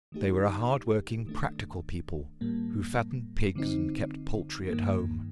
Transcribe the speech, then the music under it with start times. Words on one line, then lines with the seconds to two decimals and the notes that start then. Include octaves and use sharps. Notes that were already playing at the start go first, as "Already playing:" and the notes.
They were a hard-working, practical people who fattened pigs and kept poultry at home.
0.12 D#3 A3 D#4 G4
1.27 D#3 A3 D4
2.41 A2 G3 A#3
3.55 D3 F3 C4 D#4
4.70 G2 D#3 A#3